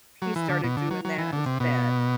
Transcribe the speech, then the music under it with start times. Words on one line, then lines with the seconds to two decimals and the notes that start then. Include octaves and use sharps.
he started doing that instead.
0.22 F#3
0.36 E3
0.49 D3
0.64 B2
0.77 D3
0.91 F#3
1.05 F#3
1.18 E3
1.33 D3
1.46 C3
1.60 B2